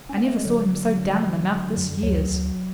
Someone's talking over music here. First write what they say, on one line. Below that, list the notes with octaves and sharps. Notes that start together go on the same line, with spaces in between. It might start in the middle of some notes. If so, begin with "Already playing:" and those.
I never saw him so down in the mouth this years.'
C#4
B3
A3
G#3
D3 F#3
D3
D3
D3
D3
F#2
D2 F#3
D2